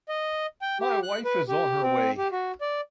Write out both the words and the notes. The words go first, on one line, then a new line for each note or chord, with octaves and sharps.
My wife is on her way.
D#5
G5
G4
F#6
B4
G4
C4
G4
F#4
D5